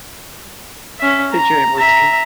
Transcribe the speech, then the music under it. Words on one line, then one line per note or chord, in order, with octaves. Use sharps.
Put you in routine.
C#4 E5
A#5
E5 A#5